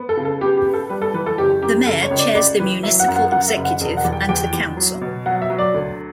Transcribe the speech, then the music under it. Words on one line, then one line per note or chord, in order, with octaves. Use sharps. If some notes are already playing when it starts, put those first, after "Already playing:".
The mayor chairs the municipal executive and the council.
Already playing: B3
A4
C#3
A4
B3 G4
G4
B3
A4
G3 B4
A4
E3 B4
A4
F#1 G4
F#2 G4
C#3 A4
C#5
C#2
D5
C#2 D5
E3 B4
F#3 E5
F#5
F#2
F#5
F#2 F#5
E5
F#1
F#5
E1
F#5
E2
G5
E2 G5
E2
F#3
B2
F#3 F#5
E5
F#3
D5
D2